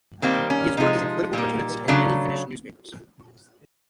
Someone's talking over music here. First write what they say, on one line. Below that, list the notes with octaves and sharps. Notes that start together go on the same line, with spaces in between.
He has worked as a political cartoonist in many Finnish newspapers.
D#3 G3 A#3 C4
C#4
C3 F3 G#3 D#4
A#2 G3 A#3
C#3 F#3 A3 D4